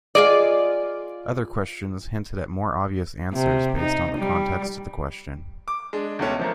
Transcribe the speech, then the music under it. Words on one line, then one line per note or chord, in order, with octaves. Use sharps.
Other questions hinted at more obvious answers based on the context of the question.
F4 G#4 D5 D#5
C3
D#4
G3
D6
G#3 D4
C#2 B2 A3 C#4
F3 A3 A#3